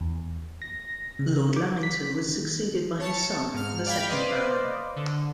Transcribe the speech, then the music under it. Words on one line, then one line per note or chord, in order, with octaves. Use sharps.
Lord Lamington was succeeded by his son, the second Baron.
E2
A#6
C#3
D6
B6
D#3
C#5 A5 C#7
G#2 F6
D5 F5 G5 B5 G#6 B6
B4 C5 D5 D#5 F5
D3